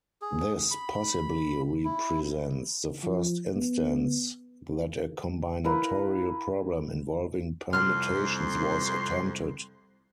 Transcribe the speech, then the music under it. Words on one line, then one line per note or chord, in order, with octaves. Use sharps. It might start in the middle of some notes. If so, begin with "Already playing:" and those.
This possibly represents the first instance that a combinatorial problem involving permutations was attempted.
G#4
B5
E4
F3
B3
E4 A#4 B4 F5
C2 F2 C6 F6 F#6